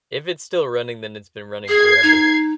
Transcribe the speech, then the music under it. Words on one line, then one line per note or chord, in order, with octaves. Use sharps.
if it's still running, then it's been running forever.
G#4 G#6 C7
D#4